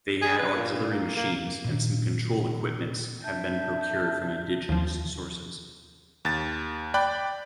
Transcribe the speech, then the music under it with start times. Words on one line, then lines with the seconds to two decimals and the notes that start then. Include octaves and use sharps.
They had Auxiliary machines and some control equipments have been procured from indigenous sources.
0.22 G#4
0.39 B4
0.55 A#2
0.90 A#3
1.16 A#3
1.65 A#2 D#3
3.24 D4 E5 A5 G6
4.69 D#2 F3
6.25 D#2 A6
6.94 D5 G5 B5 F#6